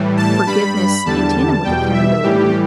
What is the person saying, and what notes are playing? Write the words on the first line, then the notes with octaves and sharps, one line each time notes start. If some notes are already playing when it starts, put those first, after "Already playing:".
forgiveness in tandem with accountability,
Already playing: A2 E3 G3
A5
G2 G3 B5
B5
E2 D3 G3 A5
E2 B2 G3 G5
E5
A2 E3 G3 G4